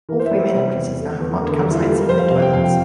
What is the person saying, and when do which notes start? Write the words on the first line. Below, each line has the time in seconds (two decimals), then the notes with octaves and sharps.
All three main entrances now have marked campsites and pit toilets.
0.09 E3 A#4
0.19 C5
0.26 E5
0.31 G3 D5
0.42 C5
0.53 C3
0.75 E2
0.97 A3
1.20 E2
1.42 D3 A#4
1.53 A4
1.64 E2
1.71 E4
1.75 F4
1.87 G3 A4
1.98 A#4
2.09 F2 C5
2.19 F5
2.30 C3 F5
2.42 G5
2.53 F2 F5
2.64 G5